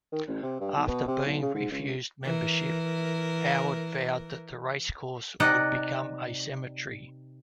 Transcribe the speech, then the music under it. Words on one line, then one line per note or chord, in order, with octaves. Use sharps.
After being refused membership, Howard vowed that the race course would become a cemetery.
D#3
A1
C3
G2
B1
B2
C3
B1
C#3
G#2
C#2
E3 A#4
C3 D#4 D5 D#5 F#5